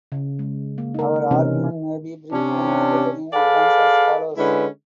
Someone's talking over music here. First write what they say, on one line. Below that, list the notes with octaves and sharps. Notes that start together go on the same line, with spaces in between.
Our argument may be briefly indicated in advance as follows.
C#3
G#3
A#3
D#4 A#4
C3 E3 C4 C#4 D#4
C3 C#4 D4
G#4 A4 B4 D5 F5
D3 G#3 C#4 E4 B4